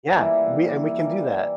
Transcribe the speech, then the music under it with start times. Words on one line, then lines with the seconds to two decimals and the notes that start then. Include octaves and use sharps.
Yeah, we and we can do that.
0.15 E3 G3 A#3 E4
0.98 E3 G3 A#3